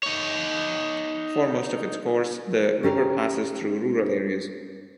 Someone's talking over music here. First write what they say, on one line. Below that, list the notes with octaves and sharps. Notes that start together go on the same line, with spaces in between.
For most of its course, the river passes through rural areas.
D#4 C#5
C#4 G4 A#4